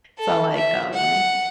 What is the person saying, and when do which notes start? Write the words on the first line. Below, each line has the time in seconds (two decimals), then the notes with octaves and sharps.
So, like, um
0.18 A4
0.56 E5
0.94 F#5